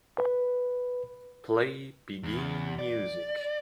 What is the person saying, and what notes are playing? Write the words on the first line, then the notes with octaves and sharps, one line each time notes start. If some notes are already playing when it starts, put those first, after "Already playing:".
Play biguine music.
B4
E2
D5